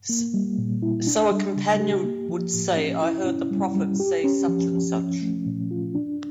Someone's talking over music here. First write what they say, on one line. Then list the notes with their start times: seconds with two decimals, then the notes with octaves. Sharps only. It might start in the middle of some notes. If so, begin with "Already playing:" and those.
So a companion would say, I heard the Prophet say such and such.
0.09 A#3
0.34 G3
0.58 A#2
0.82 E4
1.07 D4
1.31 G3
1.56 C#3
1.80 G4
2.04 A#3
2.29 F3
2.53 A2
2.77 C#4
3.02 E4
3.27 C#4
3.51 G3
3.75 G3
4.00 G4
4.24 C#4
4.48 F3
4.73 F3
4.97 C#4
5.22 A3
5.46 A#2
5.71 F4
5.95 D4